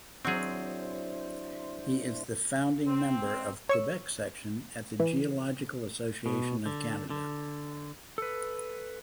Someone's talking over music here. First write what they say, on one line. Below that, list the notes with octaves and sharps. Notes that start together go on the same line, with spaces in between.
He is the founding member of Quebec section at the Geological Association of Canada.
F#3 C4 D4 E4 F#4 G#4 C5
C4
C#5 C#6 E6
E3
B2
D3
D3
A4 B4